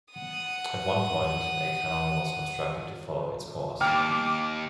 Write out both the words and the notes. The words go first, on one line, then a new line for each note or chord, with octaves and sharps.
At one point a canal was constructed to follow its course.
F#5 D#6
D#2 G5 D6 F6